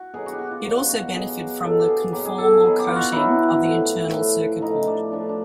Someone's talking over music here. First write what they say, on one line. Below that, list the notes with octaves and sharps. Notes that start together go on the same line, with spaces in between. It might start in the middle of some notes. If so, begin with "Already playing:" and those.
It also benefited from the conformal coating of the internal circuit board.
Already playing: F#4
B2 F#3 G#4
F#4
G4
F#4
F4
B2 F#3 F#4
F4
F#4
B2 F#3 G#4
B2 F#3 A4
G4
G#4
B2 F#3 G4
G#4
A4
G#4
B2 F#3 G#4
G4
F4
F#4
B2 F#3 E4
A2 F3
A2 F3
A2 F3 D#4
D4
A2 F3 D4
D4